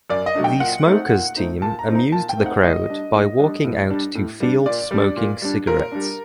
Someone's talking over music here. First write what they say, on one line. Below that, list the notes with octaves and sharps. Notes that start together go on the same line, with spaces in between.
The Smokers team amused the crowd by walking out to field smoking cigarettes.
F#2 D5
D#5
F#3 A3 D4
G5
A#2 F#5
A3 C4 D#4
A#2
A3 C4 D#4
A#2 A5
A#5
A3 C4 D#4
A#5
A#2 A5
G5
A3 C4 D#4
F#5
A2 D#5
G3 D4
A2
G3 D4
A2
G3 D4
A2
G3 D4
A#2 D5
G3 D4
A#2
G3 D4
A#2 A#4
G3 D4